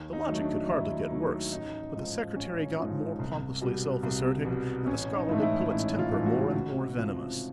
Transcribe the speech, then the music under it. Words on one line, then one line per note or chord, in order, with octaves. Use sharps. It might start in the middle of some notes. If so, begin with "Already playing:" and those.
The logic could hardly get worse, but the secretary got more pompously self-asserting, and the scholarly poet's temper more and more venomous.
Already playing: D#2
D#4
D#3 F#3 A3
D4
D#2 E4
D#3 F#3 A3
A1 D#4
G#2 F3
A1 C#4
G#2 F3
C2
B2 G3
C2
B2 G3
A1 C#4
D#4
G#2 E3 A3
E4
A1 E4
F4
G#2 E3 A3
F#4
C#2
C3 F3